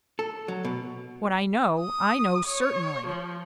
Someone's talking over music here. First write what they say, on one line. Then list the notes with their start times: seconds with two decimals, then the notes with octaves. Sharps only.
What I know, I know certainly.
0.19 A4
0.48 F#3
0.65 B2
1.79 D#6
2.47 C#5
3.07 F3